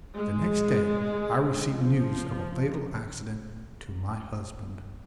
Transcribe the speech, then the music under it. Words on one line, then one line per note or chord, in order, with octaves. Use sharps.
The next day I received news of a fatal accident to my husband.
G#3
F3